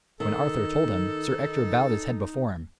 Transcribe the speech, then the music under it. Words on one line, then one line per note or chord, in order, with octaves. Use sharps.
When Arthur told him, Sir Ector bowed his head before him.
D#3 D#4 A4